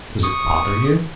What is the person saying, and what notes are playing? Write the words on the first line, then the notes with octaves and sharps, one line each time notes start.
"Does it bother you?"
C#6 D#6